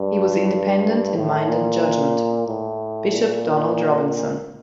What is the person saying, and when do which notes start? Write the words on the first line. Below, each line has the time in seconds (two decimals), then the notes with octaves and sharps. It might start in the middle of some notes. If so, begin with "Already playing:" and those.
He was independent in mind and judgement. - Bishop Donald Robinson.
Already playing: G2
1.16 A2
1.48 A#2
2.47 A2
3.12 A#2